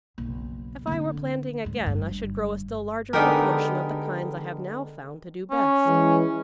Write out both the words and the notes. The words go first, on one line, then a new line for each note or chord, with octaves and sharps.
If I were planting again I should grow a still larger proportion of the kinds I have now found to do best.
F#1 B1
D3 C4
D2 G#2
G1 G2
D3 G#3 B3 D#4 G4 A#4
C#4
E3 G#3